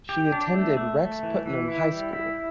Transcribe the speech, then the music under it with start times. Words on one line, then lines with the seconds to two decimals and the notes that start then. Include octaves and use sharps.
She attended Rex Putnam High School.
0.09 G4
0.32 D4
0.54 A3
0.77 A3
1.00 A3
1.23 E3
1.46 E3
1.68 E4
1.91 G3
2.13 E4